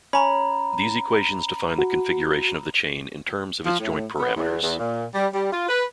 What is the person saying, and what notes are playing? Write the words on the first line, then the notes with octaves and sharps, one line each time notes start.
These equations define the configuration of the chain in terms of its joint parameters.
C#4 A#5 B5
F#4
F3
A2
B3
E2
E2
A#2
G3
G3
F4
B4